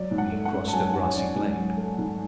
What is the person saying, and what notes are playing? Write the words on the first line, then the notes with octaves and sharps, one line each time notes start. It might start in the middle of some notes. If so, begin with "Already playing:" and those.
We crossed a grassy glade.
Already playing: F#3 D5
G#2
F#5
A3
F#5
C#4
A5
F#3 G#5
C#4 F#5
C#5
C#4 D5
G#2 D5
F#3
A3
G#2